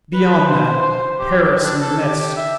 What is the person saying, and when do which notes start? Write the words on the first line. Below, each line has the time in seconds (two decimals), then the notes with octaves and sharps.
Beyond that, Paris in the mist!
0.14 B4
0.46 C5
0.82 C5
1.19 G4
1.64 D4
1.81 A4
2.02 G4
2.36 E5